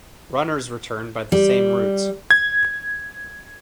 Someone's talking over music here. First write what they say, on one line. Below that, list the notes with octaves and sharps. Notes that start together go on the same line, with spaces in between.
Runners return by the same route.
G3
G#6